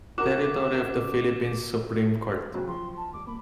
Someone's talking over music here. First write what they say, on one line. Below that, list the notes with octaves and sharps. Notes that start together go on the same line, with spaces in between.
Territory of the Philippines Supreme Court.
C#3 F#4 A#4 D6
C#3 F#3 C5 G5
F3 C6
A5
D#2 G3 D6
A#3 B5